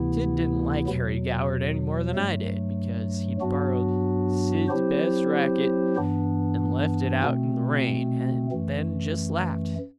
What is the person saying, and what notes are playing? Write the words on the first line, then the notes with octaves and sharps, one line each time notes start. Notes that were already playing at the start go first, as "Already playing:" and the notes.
Sid didn't like Harry Goward any more than I did, because he'd borrowed Sid's best racket and left it out in the rain, and then just laughed.
Already playing: D2 C3 E3 B3 E4
E2 B2 F#3
G2 F#3 A3
G2 F#3 B3 D4 F#4
F#3 C4 E4 G4 C5
G2 E3 B3 D4
B2 A3 C4
F#2 E3 A3